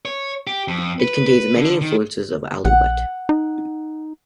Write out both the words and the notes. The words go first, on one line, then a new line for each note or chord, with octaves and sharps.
It contains many influences of Aluette.
C#5
G4
F2
B4
B4
D3
D#3
A#1 F#5
D#4